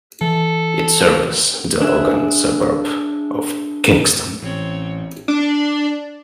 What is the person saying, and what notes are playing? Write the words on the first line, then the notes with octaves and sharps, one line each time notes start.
It serves the Logan suburb of Kingston.
E3 A4
D4 G#4 E5 F#6
A1 C4 C#5
D4